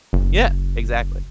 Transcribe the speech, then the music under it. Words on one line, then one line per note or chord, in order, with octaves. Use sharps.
Yeah. Exactly.
F#1